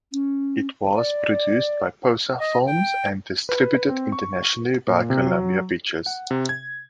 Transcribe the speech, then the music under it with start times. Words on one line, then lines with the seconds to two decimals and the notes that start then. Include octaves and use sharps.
It was produced by Posa Films and distributed internationally by Columbia Pictures.
0.12 C#4
0.95 D5
2.40 D#5
2.67 G5
3.49 B4
3.89 C4
4.12 C#6
4.87 A#2
5.10 C3
5.27 F#3
6.06 F#5
6.31 C3
6.49 G#6